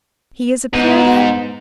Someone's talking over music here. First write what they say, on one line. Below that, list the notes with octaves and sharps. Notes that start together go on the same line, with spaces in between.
"He is a peer, then?"
G#2 B3